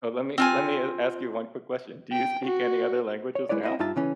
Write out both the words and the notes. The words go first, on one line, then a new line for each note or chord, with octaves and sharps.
Oh, let me let me a ask you one quick question, do you speak any other languages now?
C4 F4 G#5
G5
F#4
C#5
G#3 E4 B4 C#5 D5
E4 D#5
G2 D#4 F4 E5 A5
C#3 E3 C#4